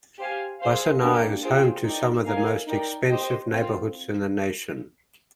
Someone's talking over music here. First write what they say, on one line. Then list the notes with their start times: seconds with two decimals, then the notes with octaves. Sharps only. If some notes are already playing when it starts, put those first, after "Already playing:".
Wassenaar is home to some of the most expensive neighbourhoods in the nation.
0.19 G4 C5 F5 G#5
0.61 G#4 C5 F5
1.02 A#3 D4 G4
1.43 F4 G#4 C5 G5
1.84 D#4 A#4 D5 G5
2.26 A#3 D#4 A#4 F5 G#5
2.67 D#4 A#4 D5 G5
3.09 G4 C5 D#5 G5
3.51 C4 F4